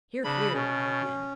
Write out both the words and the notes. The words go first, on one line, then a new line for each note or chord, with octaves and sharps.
"Hear, hear!" muttered Ned.
C#3 D4 B5
B2 C#4